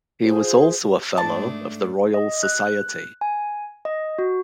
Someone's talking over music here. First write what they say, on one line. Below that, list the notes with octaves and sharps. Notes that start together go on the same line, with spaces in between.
He was also a fellow of the Royal Society.
F4 G#4 C5
G#2 A3 D4 A4 A5
D#5
F#6
G#5
D#5
F#4